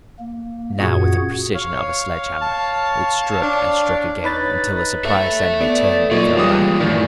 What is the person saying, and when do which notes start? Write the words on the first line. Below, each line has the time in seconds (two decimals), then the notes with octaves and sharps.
Now with the precision of a sledge-hammer it struck, and struck again--until the surprised enemy turned and fell back.
0.19 A#3
0.80 F#2 A#2 F#4 G#4 F#5 G#6
1.54 C#5 F5
2.42 A5
3.42 D4
4.24 D#4 B4 C#5 B5 A6
5.05 A4 E5
5.61 B3 D5
6.11 A#2 F#3 A#3 D#4 F4 C#5 D5
6.37 E3 F3 G3 G#3 D6 D#6
6.79 F#2 A2 D#3 E3 D5